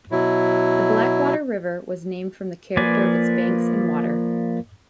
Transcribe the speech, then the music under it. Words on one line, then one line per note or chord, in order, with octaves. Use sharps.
The Blackwater River was named from the character of its banks and water.
B2 F#3 E4
F3 A#3 B4 D5 G#5